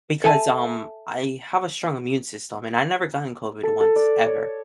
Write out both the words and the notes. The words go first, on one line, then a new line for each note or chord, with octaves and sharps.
Because, um, I have a strong immune system and I've never gotten COVID once ever.
A4 E5 G#5 A5
A4
A4
D5
C#5